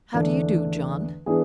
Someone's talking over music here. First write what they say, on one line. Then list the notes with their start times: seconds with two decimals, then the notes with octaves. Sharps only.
"How do you do, John?"
0.14 E2 D3 A3 D4
1.26 E3 B3 D4 G#4